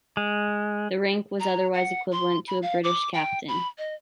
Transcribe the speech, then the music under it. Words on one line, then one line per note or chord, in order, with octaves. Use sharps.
The rank was otherwise equivalent to a British captain.
G#3
A#5
F#5
C6
B5
F5
D6
G5
B5
D#5